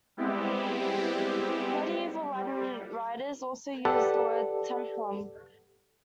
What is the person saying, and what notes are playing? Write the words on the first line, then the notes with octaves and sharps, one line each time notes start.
Medieval Latin writers also used the word "templum".
G3 G#3 B3 C4 E4 G4
G3
G4 A4 B4 D5 F#5 A5